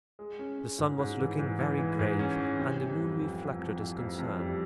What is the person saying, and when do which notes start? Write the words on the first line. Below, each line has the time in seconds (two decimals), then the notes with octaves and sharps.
The sun was looking very grave, and the moon reflected his concern.
0.19 G#3
0.39 C#4
0.59 C#4
0.79 G#2
0.99 G#2
1.19 E3
1.39 G#2
1.59 E3
1.78 E3
1.99 G#2
2.19 C#4
2.39 E3
2.59 C3
2.79 G3
2.99 F2
3.19 F2
3.39 F2
3.59 F2
3.79 F2
3.99 F2
4.19 F2
4.39 G3